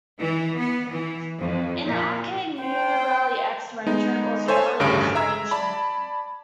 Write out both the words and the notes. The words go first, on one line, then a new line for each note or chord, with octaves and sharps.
In the arcade, "New Rally-X Arrangement" was "Rally-X Arrangement".
E3
B3
E3
F2
A#2
C5 G5
G#3 B3 D#4
A4 C5 C#5 E5 G#5
A1 D2 G2 C#3 A4 D7
E5 A#5 E6 G#6
D5 A5 B5